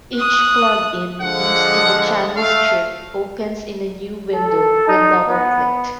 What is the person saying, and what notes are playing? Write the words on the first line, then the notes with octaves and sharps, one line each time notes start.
Each plug-in used in the channel strip opens in a new window when double-clicked.
D#6 F#6
D3 F3 G#3 F#5
A3 F5
A4
D#4
B3